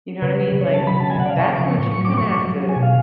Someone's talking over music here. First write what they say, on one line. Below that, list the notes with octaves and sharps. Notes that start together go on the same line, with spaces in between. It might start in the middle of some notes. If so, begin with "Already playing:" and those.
You know what I mean? Like, uh, that point, you kinda have to,
C#3 B4
F#3
C#3 C#5
A5
F#3
B5
C#3 A5
G#5
C#3 F#5
D5
F5
C#3 C#6
D6
F3
C#6
A2 C#6
C#6
F#3
D6
F#3 C#6
F#3
F#3
G#5
B2
F5